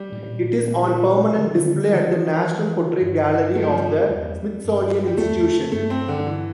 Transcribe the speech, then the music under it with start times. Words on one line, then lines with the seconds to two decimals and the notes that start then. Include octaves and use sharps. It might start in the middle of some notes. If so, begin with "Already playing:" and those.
It is on permanent display at the National Portrait Gallery of the Smithsonian Institution.
Already playing: G3
0.12 A2
0.30 A#2
0.84 G3
1.38 D3
1.57 D3
1.75 D3
1.93 E3 F3
3.01 G2
3.55 A3
3.63 G3
3.70 F3
3.77 G3
4.09 E2
4.37 F2
4.64 G2
5.07 G3
5.18 E2 A3
5.36 E2
5.46 F2
5.72 G2 A3
5.90 C4
6.08 D3
6.27 E3